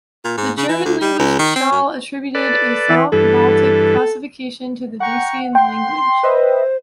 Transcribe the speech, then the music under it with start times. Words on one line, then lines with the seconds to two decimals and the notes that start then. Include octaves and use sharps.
The German linguist Schall attributed a South Baltic classification to the Dacian language.
0.25 A#2
0.38 G#2
0.57 C#3
0.69 E3
0.85 D2
1.01 G3
1.19 C#2
1.39 D#3
1.56 C4
1.72 F#2
2.35 A4 B4 D5
2.89 E3
3.12 G2 E3 A4
5.00 F#5 G5 A#5 C#6
5.55 G5 C6
6.23 B4 C5 D#5 E5